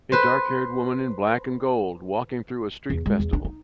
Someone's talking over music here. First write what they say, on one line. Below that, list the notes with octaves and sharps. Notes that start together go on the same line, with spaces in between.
A darkhaired woman in black and gold walking through a street festival.
B4 C5
E2
G#3
E2
D4
D#4